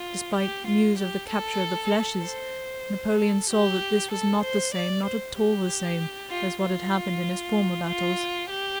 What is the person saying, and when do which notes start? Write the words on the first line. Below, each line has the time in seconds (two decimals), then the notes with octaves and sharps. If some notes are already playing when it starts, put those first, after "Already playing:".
Despite news of the capture of the fleches, Napoleon saw that this was not the same, not at all the same, as what had happened in his former battles.
Already playing: F4
0.35 G4
0.67 F4
0.99 G4
1.30 A4
2.23 C5
3.18 A4
3.49 G4
4.12 A4
4.43 C5
4.75 D5
5.06 C5
5.38 G4
6.30 F4
6.62 F4
7.88 F4
8.50 G4